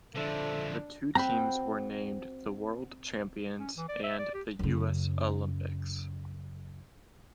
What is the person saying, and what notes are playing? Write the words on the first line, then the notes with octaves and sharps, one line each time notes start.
The two teams were named the "World Champions" and the "U. S. Olympics".
D3 F3 D4 A4 E5
C4 F#4 G5 A#5 B5
C#4
E3
D5
E5
D5
G4
F#2 C#3